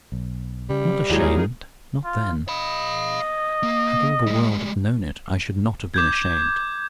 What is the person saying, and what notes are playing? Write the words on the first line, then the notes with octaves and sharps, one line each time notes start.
I was not ashamed--not then. Had all the world known it I should not have been ashamed.
B1
C#3 G3
D#2 A2 F#3 G#3 D#4 G#4 A#4
F4
D#5 F5 B5
A#3
G3 G#3
D6 G6 G#6